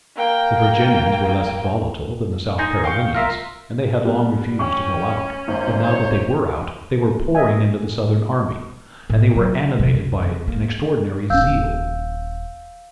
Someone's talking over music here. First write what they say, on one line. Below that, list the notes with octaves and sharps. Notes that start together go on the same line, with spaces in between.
The Virginians were less volatile than the South Carolinians, and they had long refused to go out, but now that they were out they were pouring into the Southern army, and they were animated by an extraordinary zeal.
A#3 G5
D#4 D#5 G#5 C6
F5 G5 C#6
F4 A#4 E5 F5
G3 B3
C#4 G5 C#6
G#1 C5
C#5
D#5 E5 G#5
A2
F#3
C3
D2
F2
A#3
D#1 C#4 F5 E6 G6